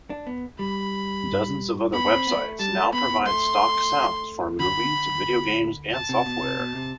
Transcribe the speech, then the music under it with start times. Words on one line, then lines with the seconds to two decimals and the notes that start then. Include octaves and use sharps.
Dozens of other websites now provide stock sounds for movies, video games, and software.
0.10 D4
0.27 B3
0.59 G3 B5
1.93 B3 B5
2.15 C4
2.27 B3
2.37 A3
2.59 G3 A5
2.77 A3
2.93 B3 B5
3.09 B3
3.26 A3 C6
4.59 D3 B5
5.92 A5
6.09 C3
6.26 B2
6.42 C3
6.59 B2
6.75 C3